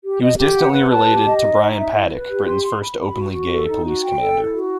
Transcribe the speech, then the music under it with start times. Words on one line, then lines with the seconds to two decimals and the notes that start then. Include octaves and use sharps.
He was distantly related to Brian Paddick, Britain's first openly gay police commander.
0.04 G4
0.21 D#5
0.38 G4
0.56 F#5
0.72 B4
0.90 A5
1.08 G4
1.25 D#5
1.42 D#4
1.59 D#4
1.77 E5
1.93 E4
2.11 B4
2.29 G4
2.45 C6
2.63 C6
2.80 B5
2.98 B5
3.15 F#4
3.32 F#4
3.50 A4
3.67 D#4
3.84 F#4
4.02 G5
4.18 A4
4.37 E4
4.53 F#4